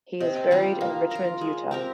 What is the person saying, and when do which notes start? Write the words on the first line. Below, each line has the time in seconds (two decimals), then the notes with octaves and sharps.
He is buried in Richmond, Utah.
0.20 C3 D#5
0.51 G3 D4 F4
0.81 A#3 F5
1.11 F4 A#4
1.41 G#3
1.71 C4 G4 A#4